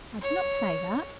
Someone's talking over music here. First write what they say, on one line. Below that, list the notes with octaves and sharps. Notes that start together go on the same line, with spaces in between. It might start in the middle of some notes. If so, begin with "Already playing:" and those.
"I did not say that."
C#5